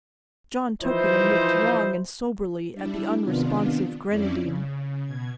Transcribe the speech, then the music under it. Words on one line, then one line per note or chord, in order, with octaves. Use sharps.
John took it and looked long and soberly at the unresponsive grenadine.
E3 F3 D#4 E4 C5
G3 D4 E4
C3 D#3 B3 D4 F4
F2 C4 C#4 E4 D5
C#3
B2 G#6